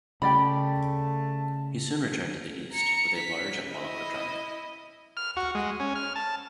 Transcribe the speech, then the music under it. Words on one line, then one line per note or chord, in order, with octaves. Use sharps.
He soon returned to the east with a large and well-equipped army.
C#3 A3 G4 D5 A5 B5
A#5 C#7
B6
E4 D#5
F6
F#4
G#3
C#4
F6
A5